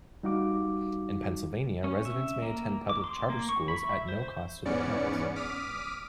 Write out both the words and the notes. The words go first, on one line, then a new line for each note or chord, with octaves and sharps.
In Pennsylvania residents may attend public charter schools at no cost to the parents.
G3 D#4 F#4 F5 D6
C#4
E5
A#3
D6
C6
A#3
C#6
B5
E5
C5
E2 G#2 B3 C#4 D5 C#7
D6 D#6 F6 B6 D7 D#7